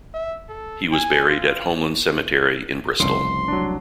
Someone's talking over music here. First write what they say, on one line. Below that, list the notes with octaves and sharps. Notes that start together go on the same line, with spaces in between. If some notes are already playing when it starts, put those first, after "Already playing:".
He was buried at Homeland Cemetery in Bristol.
E5
A4
G#5
F4
F1 C2 C#3 C6
F#3 D4